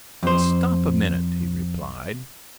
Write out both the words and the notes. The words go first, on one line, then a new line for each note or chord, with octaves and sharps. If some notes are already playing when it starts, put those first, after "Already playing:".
"Stop a minute!" he replied.
F2 C5